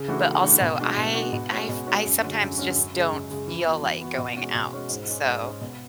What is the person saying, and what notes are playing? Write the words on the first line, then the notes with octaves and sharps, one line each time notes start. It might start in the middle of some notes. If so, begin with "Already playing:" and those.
But also, I I f I sometimes just don't feel like going out, so.
Already playing: C#3
E3 A3 D4 F#4
C#3
E3 A3 D4 F#4
B2
G#3 D4 F#4
B2
G#3 D4 F#4
B2
G#3 C#4 F#4
B2
G#3 C#4 F#4
F#2
D3 G#3 C#4 F#4
F#2
D3 G#3 C#4 F#4
F#2
C#3 G#3
F#2
C#3 G#3
E3
B3 F#4
E3
B3 F#4
B2
G#3 C#4 F#4
B2
G#3 C#4 F#4
G#2
G#3 C#4
G#2
G#3 C#4
B2